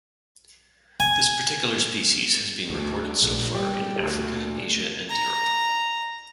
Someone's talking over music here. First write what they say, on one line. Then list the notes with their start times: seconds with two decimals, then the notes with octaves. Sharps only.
This particular species has been recorded so far in Africa, Asia and Europe.
1.00 G#5
2.70 D2
3.22 A#1
3.55 G3
4.01 D2
5.09 A#5